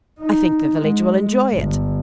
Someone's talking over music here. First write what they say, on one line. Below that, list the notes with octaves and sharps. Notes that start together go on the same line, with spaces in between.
"I think the village will enjoy it."
D#4
G#3
G1